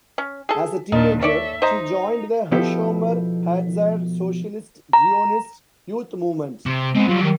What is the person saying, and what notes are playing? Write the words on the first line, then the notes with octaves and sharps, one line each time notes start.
As a teenager she joined the HaShomer HaTzair Socialist-Zionist youth movement.
C#4
G#4 A4
D#2 A#2 D4 D#4
A4 C#5 D5 E5
D#4 C5 D#5 A#5
B2 F3 B3 E4 G4 A4
A#5
C3
G#3 B3 C4
F#3 G3 F4
D#3